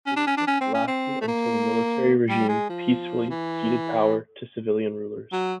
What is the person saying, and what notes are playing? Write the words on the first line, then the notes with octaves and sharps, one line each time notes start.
The dictatorship lasted until the military regime peacefully ceded power to civilian rulers.
C#4
D4
C#4
D4
C#4
C4
C#4
C4
A3
A#3
G3
G#3
F3
E3
F#3